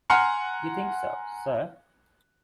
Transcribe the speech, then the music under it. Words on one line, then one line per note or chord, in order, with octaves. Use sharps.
You think so, sir?
F#5 G#5 A#5 C6 F6 C#7